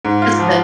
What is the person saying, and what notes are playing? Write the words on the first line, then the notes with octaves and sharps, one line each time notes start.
that's good.
G#2
F4
F3